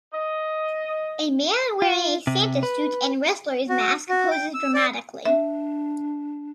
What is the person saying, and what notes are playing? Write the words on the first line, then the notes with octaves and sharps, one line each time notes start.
A man wearing a Santa suit and wrestler 's mask poses dramatically.
D#5
F4
C3
B4
F#4
F#4
G5
E6
D5
D4 E5